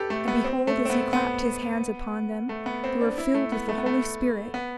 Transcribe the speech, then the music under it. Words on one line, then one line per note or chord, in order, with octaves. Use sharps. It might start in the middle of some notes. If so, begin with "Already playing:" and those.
And behold, as he clapped his hands upon them, they were filled with the Holy Spirit.
Already playing: G4 A4 B4
A3
B3
C4
A3
C4
B3
B3
A3
B3
C4
D4
E4
A3
B3
A3
B3
A3
B3